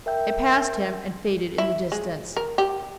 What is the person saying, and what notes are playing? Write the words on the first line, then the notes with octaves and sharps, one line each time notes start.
It passed him and faded in the distance.
A#4 E5 G5 G6
E4
G#3
A#4
G4